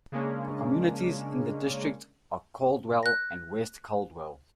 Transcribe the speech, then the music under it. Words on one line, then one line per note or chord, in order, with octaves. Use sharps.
The communities in the district are Caldwell and West Caldwell.
C#3 G#3 A#3 C#4 D4
F#6 A#6